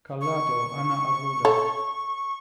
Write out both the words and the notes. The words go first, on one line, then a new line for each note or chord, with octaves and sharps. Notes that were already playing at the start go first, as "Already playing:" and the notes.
Callado, Ana Arruda.
C#6
A4 C#5